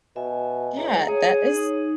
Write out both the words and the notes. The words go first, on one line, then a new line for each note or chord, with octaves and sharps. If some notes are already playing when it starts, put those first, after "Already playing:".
Yeah, that is
B2 E5 G#5
C#2 A#5
G#4 C#5
D#4